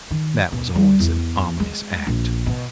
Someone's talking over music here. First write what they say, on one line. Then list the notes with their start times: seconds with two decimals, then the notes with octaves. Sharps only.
That was always an ominous act.
0.11 D#3
0.52 B2
0.75 G3
1.00 E2
1.60 G#3
2.07 A#1
2.46 B2